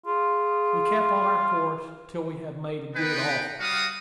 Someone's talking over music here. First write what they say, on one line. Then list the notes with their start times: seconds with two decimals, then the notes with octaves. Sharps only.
We kept on our course till we had made a good offing.
0.06 F4 G#4
2.95 B3 D#4 B4 G5
3.60 G3 F#4 F5 D#6